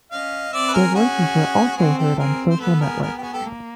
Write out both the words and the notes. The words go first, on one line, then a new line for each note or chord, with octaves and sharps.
Their voices were also heard on social networks.
C#4 D#5 F5
C4 D5 E5
B4
G#4 A#4
C#4 F#4 G#4
C4 F#4 G#4
G4 A4
C4 G#4 A#4
C5
B3 A4 B4
G#4 A#4
G#4 A#4
G4
F#4 G#4
G4 A4
A#3